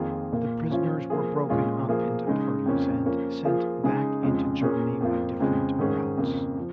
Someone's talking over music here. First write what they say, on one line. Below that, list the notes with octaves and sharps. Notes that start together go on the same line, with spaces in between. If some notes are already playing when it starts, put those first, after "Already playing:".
The prisoners were broken up into parties, and sent back into Germany by different routes.
Already playing: F2 D#3 A#3 F4 G#4
A#2 A#3 F4
F3 C#4 F4
F3 A#3 F4 G#4
A#2 G#3 C#4 F4 G#4
F3 A#3 F4 G#4
C#3 G#3 D#4 G#4
F2 C#3 A#3 C#4
F3 A#3 C#4
F3 A#3 F4 G#4
C#3 G#3 D#4 G#4
F2 C#3 F3 G#3
A#2 A#3 C#4 G#4
F2 F3 A#3 F4
F2 C#3 G#3
G#2 D#3 C#4 G#4
F2 C#3 A#3
F3